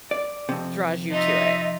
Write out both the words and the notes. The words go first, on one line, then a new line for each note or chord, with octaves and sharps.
draws you to it?
D5
F2 C3
D#4 F4 D#5 E5